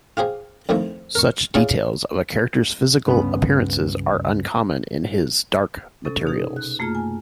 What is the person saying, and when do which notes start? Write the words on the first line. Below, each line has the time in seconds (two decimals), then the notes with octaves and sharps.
Such details of a character's physical appearances are uncommon in "His Dark Materials".
0.17 F4 G4 G#4 C5
0.69 F2 D#3 F3 A3 E4
1.15 A#4 C#6
1.55 E4 F4 G#4 C#5 D5
3.06 C#2 G2 B3 C#4 B5
6.05 C3 C#4 A4
6.25 B2 D#4 G#4
6.56 F#6
6.79 F#2 A3 A#3 F4 G#4 F6
6.95 G#5